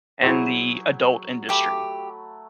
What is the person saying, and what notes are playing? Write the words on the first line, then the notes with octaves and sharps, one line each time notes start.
and the adult industry,
F#3 E4 G#4 C5
A3 G4 B5 D6